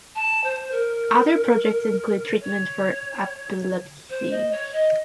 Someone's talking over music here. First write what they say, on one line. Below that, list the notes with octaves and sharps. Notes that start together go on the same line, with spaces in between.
Other projects include treatment for epilepsy.
A5
C5
A#4
C#5
C5
D#5
C#5
D#5